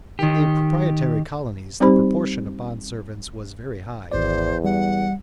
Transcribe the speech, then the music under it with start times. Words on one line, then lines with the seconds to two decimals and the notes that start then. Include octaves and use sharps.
In the proprietary colonies the proportion of bond servants was very high.
0.19 D#3 G4
1.80 G3 C4 D#4 G4 C5 B5
4.12 G#1 E2 C5 D5
4.64 G3 F#5